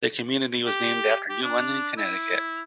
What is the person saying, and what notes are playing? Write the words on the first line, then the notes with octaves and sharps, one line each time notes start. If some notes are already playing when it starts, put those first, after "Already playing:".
The community was named after New London, Connecticut.
G4
G4
D4
E4